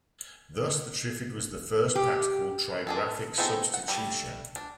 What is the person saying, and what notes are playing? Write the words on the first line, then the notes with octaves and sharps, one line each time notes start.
Thus the Trifid was the first practical trigraphic substitution.
G4
D4 G#4 A4
B3 C4 D#4 G#4 A4
F#5
G3 A3
D4